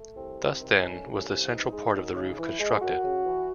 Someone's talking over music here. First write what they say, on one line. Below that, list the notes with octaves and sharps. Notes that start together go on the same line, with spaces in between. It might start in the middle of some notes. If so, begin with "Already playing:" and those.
Thus, then, was the central part of the roof constructed.
Already playing: A3
C2 C4
C3
C4
D#3
A3 C#4
C2
C#4
C3
E3 D#4
G#3
F#2
C#3
E3
G#3
F#2 F#4
C#3
E3